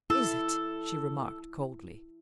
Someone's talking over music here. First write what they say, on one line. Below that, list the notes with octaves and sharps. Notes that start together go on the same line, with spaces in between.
"Is it!" she remarked coldly.
E4 A4